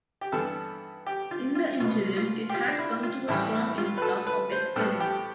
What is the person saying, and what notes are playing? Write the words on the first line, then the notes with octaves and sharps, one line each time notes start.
In the interim it had come to a strong influx of expellees.
G4
G2 E3 G3 B3 A4
G4
F4
F4
C2 B2 B3 F4
F4
G4
F4
D4
E4
F4
A1 A2 E3 G3 E4
E4
F4
B4
A4
B4
C5
A2 G3 B3 A4
G4